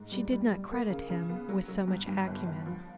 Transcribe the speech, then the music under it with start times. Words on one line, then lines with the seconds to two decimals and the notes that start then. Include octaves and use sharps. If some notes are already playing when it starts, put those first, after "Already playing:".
She did not credit him with so much acumen.
Already playing: G#2
0.12 G3
0.32 G3
0.51 G3
0.71 A#3
0.90 C#3
1.10 C#3
1.29 B3
1.49 F#3
1.68 F#3
1.88 G2
2.07 G2
2.27 G1
2.47 G1
2.66 F3